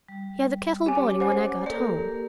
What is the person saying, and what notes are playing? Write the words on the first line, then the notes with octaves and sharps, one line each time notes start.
He had the kettle boiling when I got home.
G3
C#4 G4 C#5 G#5 D6
C5 F#5 G#5
A#3 G4 A4 A#4 D5